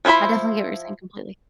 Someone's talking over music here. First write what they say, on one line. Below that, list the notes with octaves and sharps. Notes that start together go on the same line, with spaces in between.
I definitely get what you're saying completely.
F3 C#4 E4 C5 B5